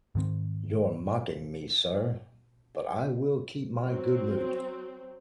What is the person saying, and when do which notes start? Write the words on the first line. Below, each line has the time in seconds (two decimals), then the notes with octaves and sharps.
You’re mocking me sir, but I will still keep my good mood.
0.15 G#2 D#3 C4
3.83 F#3 C4